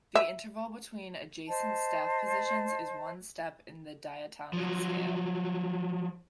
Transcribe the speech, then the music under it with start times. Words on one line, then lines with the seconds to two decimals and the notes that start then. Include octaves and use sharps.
The interval between adjacent staff positions is one step in the diatonic scale.
0.15 E5
1.48 C5 D#5 A5
4.53 F3 F#3